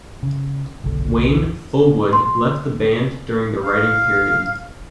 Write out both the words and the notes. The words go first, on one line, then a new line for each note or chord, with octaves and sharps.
Wayne Fullwood left the band during the writing period.
C#3
F#1 B1 D3
C6
F5